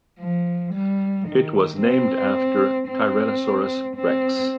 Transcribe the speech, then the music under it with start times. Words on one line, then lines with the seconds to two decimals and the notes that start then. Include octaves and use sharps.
It was named after "Tyrannosaurus rex".
0.19 F3
0.74 G3
1.28 D#3
1.81 C4
2.88 C4
3.96 C4